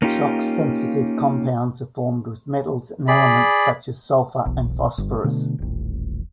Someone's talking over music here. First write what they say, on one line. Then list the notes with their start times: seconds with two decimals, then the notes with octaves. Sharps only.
Shock-sensitive compounds are formed with metals and elements such as sulfur and phosphorus.
0.02 A#3 C#4 D#4 F4 G4
3.08 G#4 D5 B5
4.45 E1 B1
4.98 G1
5.24 B2 D3 A3
5.58 D#1 A1